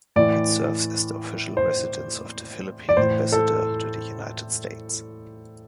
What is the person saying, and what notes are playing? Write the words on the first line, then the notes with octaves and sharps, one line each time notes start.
It serves as the official residence of the Philippine ambassador to the United States.
A2 E3 D5
C5
D5
A2 E3 C5
A4